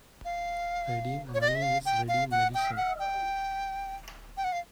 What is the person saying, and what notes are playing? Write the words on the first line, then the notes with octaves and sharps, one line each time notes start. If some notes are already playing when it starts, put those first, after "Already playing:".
Ready money is ready medicine.
F5
C#5
D5
D#5
E5
F5
G5
F5
F#5
G5
F#5
G5
G5
F#5
F5